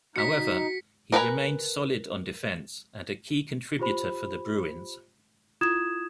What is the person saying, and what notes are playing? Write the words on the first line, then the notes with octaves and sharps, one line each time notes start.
However, he remained solid on defense and a key contributor for the Bruins.
D#4 F#4 B6 C#7
A#4 B4 G#5 A#5
F4 G4 C5 B5
E4 F4 D#6 G#6 E7